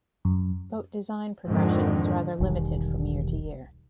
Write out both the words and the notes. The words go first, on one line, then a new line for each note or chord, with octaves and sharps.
Boat design progression is rather limited year to year.
F#2
F2 G#2 D3 D#3
E1 B1 D#3 G3